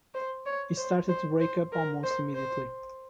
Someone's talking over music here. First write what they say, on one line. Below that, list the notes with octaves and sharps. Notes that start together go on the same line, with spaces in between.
She started to break up almost immediately.
C5
C#5
C5
C5
C5
A#4
C5
C5